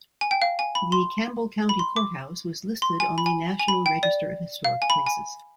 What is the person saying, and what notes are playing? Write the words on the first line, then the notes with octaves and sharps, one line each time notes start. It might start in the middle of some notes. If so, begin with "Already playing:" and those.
The Campbell County Courthouse was listed on the National Register of Historic Places.
G#5
G5
F5
G#5
B5
C6
B5
C6
D6
C6
G#5
B5
G#5
G#5
B5
G5
D5
F5
G#5
B5
G#5